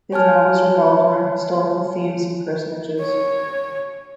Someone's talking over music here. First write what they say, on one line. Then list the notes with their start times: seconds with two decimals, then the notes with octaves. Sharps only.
His novels revolved around Historical themes and personages.
0.12 C#5 G#5 A5 F6
3.00 C#5